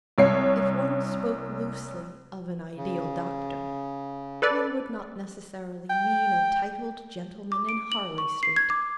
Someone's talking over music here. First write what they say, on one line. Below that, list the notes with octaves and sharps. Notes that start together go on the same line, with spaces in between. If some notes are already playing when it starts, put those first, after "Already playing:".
If one spoke loosely of an ideal doctor, one would not necessarily mean a titled gentleman in Harley Street.
C2 C#5 C7
C#3
A4 B4 D5
G5
D6
D7
F#7
C#6
C7
G#6
D6